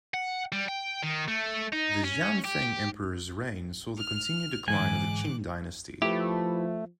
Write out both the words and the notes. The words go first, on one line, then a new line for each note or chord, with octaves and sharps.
The Xianfeng Emperor's reign saw the continued decline of the Qing dynasty.
F#5
G3
G5
D#3
A3
D#4
C#4
G4
F6 F7
G#2 D3 E3 G#3 G#5 D6 F#6
F3 A3 E4 G4 B4